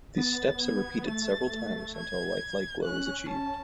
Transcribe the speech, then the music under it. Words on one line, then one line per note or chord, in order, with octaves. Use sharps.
These steps are repeated several times until a lifelike glow is achieved.
B3 A6
G#6
A3 A6
G#6
C#4 F#6
A5